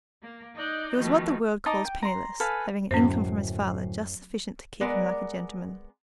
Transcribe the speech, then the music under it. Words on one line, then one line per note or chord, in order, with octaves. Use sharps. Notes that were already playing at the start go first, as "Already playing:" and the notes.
He was what the world calls penniless, having an income from his father just sufficient to keep him like a gentleman.
A#3
D#4 D5 D#5 F#6 G6
B2 D#3 F3 A3
D#4 D#5 A5 D6
G5
A#5 C6
A4 B4 F5 G#5
D1 F#2 C#4 C5 C7
G#3 B3 A#4 D5